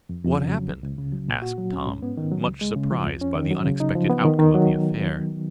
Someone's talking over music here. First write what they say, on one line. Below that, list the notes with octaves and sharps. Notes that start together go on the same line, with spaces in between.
"What happened?" asked Tom, much surprised by the unexpected outcome of the affair.
F2
F2
C#3
F#3
C#2
C#2
C#3
F#3
A#2
F#4
F#3
C#4
G#2
B3
D#3
F#3
C#2
G#3
C#3
F3
F2
C#4
D#3
F#3
C#3
D#4
F3
B3
D#3
D#3
F#3